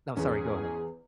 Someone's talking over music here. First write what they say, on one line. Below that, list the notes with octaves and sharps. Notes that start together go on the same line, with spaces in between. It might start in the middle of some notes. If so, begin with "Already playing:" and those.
No, sorry; go ahead.
E2 G#2 C#4 G#4